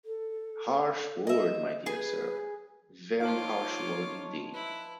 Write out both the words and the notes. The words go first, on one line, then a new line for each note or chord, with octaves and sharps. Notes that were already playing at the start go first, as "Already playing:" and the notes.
Harsh word, my dear sir, very harsh word indeed.
A4
D#5 E5
G#4 B4 G#5
F3 D#4 F4 C#5 F5 D6
E4 B4